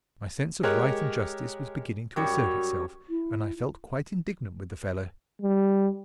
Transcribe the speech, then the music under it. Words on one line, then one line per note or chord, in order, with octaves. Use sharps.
My sense of right and justice was beginning to assert itself, and I felt quite indignant with the fellow.
G#3 G4 A#4 C#5 A#5 F#6
F#2 G3 C#5
E4
G3